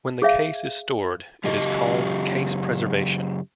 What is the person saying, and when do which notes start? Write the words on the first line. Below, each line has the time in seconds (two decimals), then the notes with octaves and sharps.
When the case is stored, it is called case preservation.
0.22 G#4 C#5 E5 F5
1.44 F#2 C#3 G4 D#5